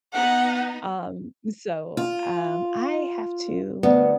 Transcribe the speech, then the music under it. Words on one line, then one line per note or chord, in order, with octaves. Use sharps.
um, so um, I have to
B3 D#4 F#5
F4
D2 B3